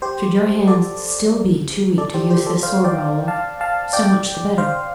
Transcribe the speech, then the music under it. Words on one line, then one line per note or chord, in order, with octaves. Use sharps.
Should your hand still be too weak to use this sword, Raoul, so much the better.
G4 C5
A4 D5
A4 D5
G4 C5
G4 C5
A4 D5
C5 F5
D5 G5
F5 A5
F5 A5
D5 G5
C5 F5